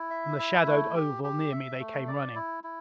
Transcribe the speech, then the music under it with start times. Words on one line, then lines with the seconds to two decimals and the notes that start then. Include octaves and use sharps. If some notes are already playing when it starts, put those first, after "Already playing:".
From the shadowed oval near me they came running.
Already playing: E4
0.10 E5
0.39 E4
0.66 A3
0.95 G4
1.24 G4
1.52 E5
1.80 A3
2.08 D5
2.35 E4
2.64 E4